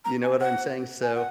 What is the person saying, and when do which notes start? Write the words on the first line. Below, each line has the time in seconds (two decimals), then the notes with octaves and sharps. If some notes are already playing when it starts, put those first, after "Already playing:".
You know what I'm saying, so
0.05 A#5
0.23 G#5
0.41 F#5
1.03 G#5
1.15 F#5